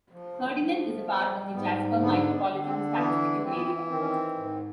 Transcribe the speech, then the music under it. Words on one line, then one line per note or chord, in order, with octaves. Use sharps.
Ferdinand is part of the Jasper Micropolitan Statistical Area.
F3
F3
G3 B3
G#2 B3
D3 B3
B3
D3
C4
A#3
E3 B3
E3 C4
B3
C4
D#3 C4
C#4
C4
G#2